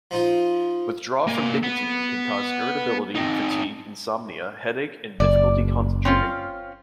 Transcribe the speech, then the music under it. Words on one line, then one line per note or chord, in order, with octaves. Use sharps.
Withdrawal from nicotine can cause irritability, fatigue, insomnia, headache, and difficulty concentrating.
F3 D#4 F4
A#3 G#5
B3
C4 D#4
F#1 D5
C4 C#4 F4